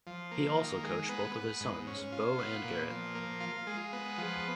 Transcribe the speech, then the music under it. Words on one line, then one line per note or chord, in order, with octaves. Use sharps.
He also coached both of his sons, Bo and Garrett.
F3
A#3
D#3
G#3
B3
B3
G#2
C#4
F4
B3
A#2
F3
A#3
F4
G#3
B3
F3